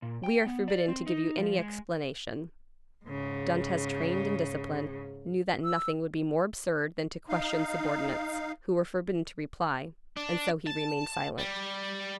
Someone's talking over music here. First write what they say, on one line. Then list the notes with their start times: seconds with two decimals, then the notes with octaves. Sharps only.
"We are forbidden to give you any explanation." Dantes, trained in discipline, knew that nothing would be more absurd than to question subordinates, who were forbidden to reply; and so he remained silent.
0.02 A#2
0.24 G5
0.46 B3
0.68 D5
0.88 C4
1.07 D#4
1.38 F3
1.59 G#3
3.06 G#2 C#3
5.64 E6
7.29 D#4 F5
10.17 D4
10.67 A5
11.39 G3